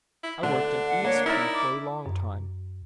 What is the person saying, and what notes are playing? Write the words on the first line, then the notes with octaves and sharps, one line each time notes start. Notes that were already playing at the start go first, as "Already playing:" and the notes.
I worked in ESP for a long time.
E4
D2 D3 D4
F#5
A#3 C#5
D#4 E4 A#4 D5 A#5
D6
F#2